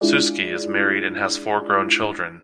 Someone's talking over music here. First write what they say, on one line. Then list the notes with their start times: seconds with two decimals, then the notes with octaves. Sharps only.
Suske is married and has four grown children.
0.01 G#3 D4 E4 F4 G#4 D5